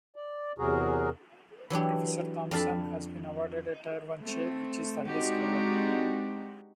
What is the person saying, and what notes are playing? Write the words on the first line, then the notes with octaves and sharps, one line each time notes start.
Professor Thompson has been awarded a Tier I chair, which is the highest level.
D5
E2 C3 F#3 F#4 G#4 A#4
E3 F#3 D4 G4
F2 D4 F5 A5 B5
A3 C4
G#3 C4 D4 D#4 F#4 G4